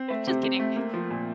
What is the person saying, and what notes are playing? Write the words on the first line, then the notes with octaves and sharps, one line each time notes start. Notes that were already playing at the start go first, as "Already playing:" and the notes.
Just kidding.
Already playing: C4
A3
C3
C3
A3
A#3
F3
A#2